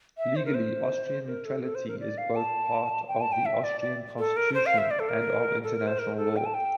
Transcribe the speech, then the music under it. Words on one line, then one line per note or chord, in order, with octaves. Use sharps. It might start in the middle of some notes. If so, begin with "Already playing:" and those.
Legally, Austrian neutrality is both part of the Austrian constitution and of international law.
E5
C5
A#4
C5
A#4
A4
A4
C5
A#4
D5
F5
A5
G5
A5
G5
E5
D5
D5
A4
A#4
C5
F5
E5
D5
A4
A#4
A4
A#4
C5
A#4
A4
G5
A5
G5